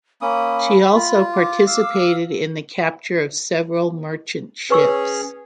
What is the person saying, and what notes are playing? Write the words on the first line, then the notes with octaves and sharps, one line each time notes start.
She also participated in the capture of several merchant ships.
A#3 C#4 B5 D#6
F4
D6
F5 E6
C#4 G#4 B4 C#5 C#6 E6